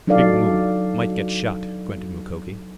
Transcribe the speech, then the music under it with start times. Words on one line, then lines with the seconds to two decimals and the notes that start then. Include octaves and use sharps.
"Big moon--might get shot," grunted Mukoki.
0.07 F#3 D4 D#4 A4 D5 F5